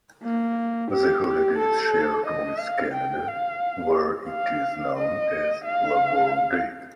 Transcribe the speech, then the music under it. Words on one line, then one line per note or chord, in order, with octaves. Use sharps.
The holiday is shared with Canada, where it is known as Labour Day.
A#3
G4
G4
A4
D#5
F5
G5
F5
F5
D#5
F5